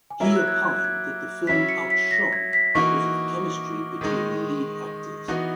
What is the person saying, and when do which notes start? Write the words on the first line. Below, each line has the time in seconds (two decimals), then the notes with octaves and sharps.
He opined that the film outshone because of chemistry between the lead actors.
0.10 G#5
0.20 F#3 A#3 E4 A#5
0.32 E6
0.36 F#6
0.48 G#6
0.52 F#6
0.68 G#6
0.76 F#6
0.84 G#6
1.47 F#3 C#4 E4 B6
1.69 C#7
1.90 B6
2.11 A#6
2.33 G#6
2.53 B6
2.75 E3 A#3 D#4 F#4 C#6
4.01 D#3 G#3 D#4
5.28 E3 B3 D#4 F#4